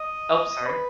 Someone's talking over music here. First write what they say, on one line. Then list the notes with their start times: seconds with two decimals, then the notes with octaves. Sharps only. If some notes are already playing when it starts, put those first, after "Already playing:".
Ope, sorry.
Already playing: D#5
0.66 B4